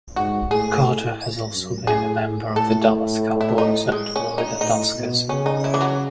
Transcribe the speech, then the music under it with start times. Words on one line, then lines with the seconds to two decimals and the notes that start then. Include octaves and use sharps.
Carter has also been a member of the Dallas Cowboys and Florida Tuskers.
0.16 G#2 F#4
0.50 A2 G#4
1.53 F#2
1.87 A2 G#4
2.56 A2 A4
3.41 E4
3.58 D#4
3.92 G#3
4.16 C#4
4.38 D#4
4.61 A2 D#4
4.95 B2
5.29 C#3 C#4
5.46 D#4
5.64 E4
5.74 E3
5.81 F#3